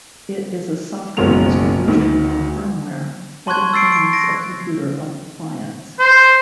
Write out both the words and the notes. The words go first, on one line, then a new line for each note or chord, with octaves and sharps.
It is a software distribution or firmware that implements a computer appliance.
F#1 B1 G#2 A#4 F7
D2 D#3
A5 C6 C#6 F#6 G#6
E6 A6 C7 D7
D7
A#6 D7
C5